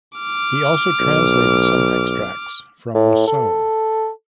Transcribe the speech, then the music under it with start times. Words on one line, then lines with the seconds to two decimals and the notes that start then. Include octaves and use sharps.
He also translated some extracts from Rosseau.
0.18 D6 F6
1.00 B1
2.94 A2
3.27 A4